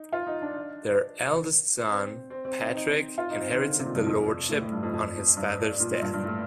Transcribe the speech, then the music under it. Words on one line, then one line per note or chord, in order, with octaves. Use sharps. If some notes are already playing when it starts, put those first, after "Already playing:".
Their eldest son, Patrick, inherited the Lordship on his father's death.
Already playing: D#4
F4
D#4
D4
C4
C4
C4
D#4
D#4
F4
D#4
C4
D#3
D3
C3
A#2
G2
F2
A2
A2
G2
F2
F2
G2
A#2
A#2
G2
G2
A2